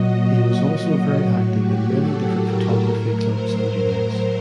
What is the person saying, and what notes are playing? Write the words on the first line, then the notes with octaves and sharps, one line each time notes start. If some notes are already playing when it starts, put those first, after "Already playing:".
He was also very active in many different photography clubs and unions.
Already playing: A#2 F#3 F#4 D#5
A2 F#3 F#4
G4
A4
A#4
A2 F#3
C5